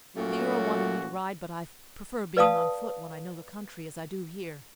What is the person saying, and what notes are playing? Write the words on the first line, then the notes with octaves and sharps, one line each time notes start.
"The earl wanted me to ride, but I prefer being on foot when I know the country, as I do here."
A#2 F#3 A3 C#4 F#4
B4 D5 F5 A5 D#6